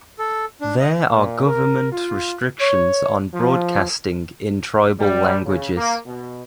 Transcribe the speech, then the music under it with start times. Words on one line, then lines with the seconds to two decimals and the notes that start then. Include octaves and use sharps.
There are government restrictions on broadcasting in tribal languages.
0.19 A4
0.61 D4
0.81 D#5
1.13 A#2
1.46 A#4
1.92 F4
2.59 C#5
3.33 F3
4.99 G3
5.46 C#3
5.76 A#3
6.06 B2